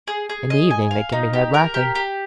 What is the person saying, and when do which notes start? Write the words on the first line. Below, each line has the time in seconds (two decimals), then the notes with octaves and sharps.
In the evening they can be heard laughing.
0.07 G#4
0.29 G#4
0.50 D#5
0.71 G#5
0.91 F5
1.12 D#4
1.33 G4
1.54 A#4
1.74 G4
1.95 G4